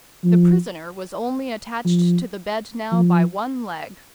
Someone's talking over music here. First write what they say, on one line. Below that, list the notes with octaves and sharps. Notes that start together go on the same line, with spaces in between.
The prisoner was only attached to the bed now by one leg.
F3
F3
F3